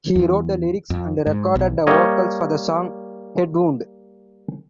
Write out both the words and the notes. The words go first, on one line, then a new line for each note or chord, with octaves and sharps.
He wrote the lyrics and recorded the vocals for the song Headwound.
E2
F2
G#2
B1
G3 A#3 C#5 D#5